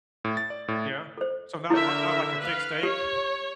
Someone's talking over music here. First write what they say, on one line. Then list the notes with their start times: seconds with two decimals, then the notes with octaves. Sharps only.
Yeah. So not not not like a thick steak?
0.25 A2
0.37 A6
0.50 D5
0.68 A2
1.18 A4 C5
1.70 D3 E4 A#4 C#5 E5
2.38 B4 F5
2.83 G4 C#5